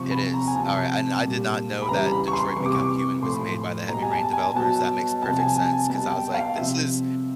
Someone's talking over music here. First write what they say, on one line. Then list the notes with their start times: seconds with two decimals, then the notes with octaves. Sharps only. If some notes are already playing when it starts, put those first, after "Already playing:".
It is, alright, I no I did not know that Detroit: Become Human was made by the Heavy Rain developers, that makes perfect sense 'cause I was like, "This is
Already playing: C3 F3 C#6
0.11 B5
0.34 A#5
0.47 G#5
0.56 C3 F3 A5
1.23 A#2 G3
1.82 B5
1.89 C#3 E3 G3 A#5
2.12 B5
2.28 C#6
2.33 C6
2.56 C3 E3 G3 C#6
2.66 D6
2.75 C#6
3.22 A2 F3 C6
3.33 B5
3.43 C6
3.89 B2 G3 A#5
4.02 G#5
4.11 A5
4.33 G#5
4.55 B2 F#3 A5
5.23 C3 F3 A5
5.39 G#5
5.56 G#5
5.73 G#5
5.89 B2 G3 A5
6.11 G5
6.34 F5
6.56 C3 F3 E5